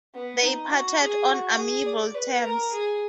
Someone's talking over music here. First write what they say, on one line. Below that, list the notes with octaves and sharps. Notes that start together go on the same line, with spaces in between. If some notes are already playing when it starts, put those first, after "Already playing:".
They parted on amiable terms.
B3
D#4
F#4
G#4
F#4
G#4
D5
B4
A#4
G#4